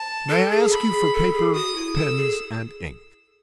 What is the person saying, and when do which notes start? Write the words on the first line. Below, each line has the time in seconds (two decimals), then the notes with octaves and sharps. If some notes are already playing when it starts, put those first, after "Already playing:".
"May I ask you for paper, pens, and ink?"
Already playing: A5
0.29 A4
0.51 G#4
0.71 B5
0.91 G#4
1.13 A4
1.33 G#4
1.54 F#4 D#6
1.75 E4
1.96 A4 E6
2.17 G#4